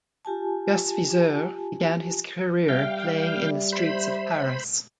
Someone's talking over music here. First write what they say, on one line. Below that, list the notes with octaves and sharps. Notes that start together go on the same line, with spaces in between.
Gus Viseur began his career playing in the streets of Paris.
F4 G4 G#5 A5
G3 E5 F5 G5
C5 B5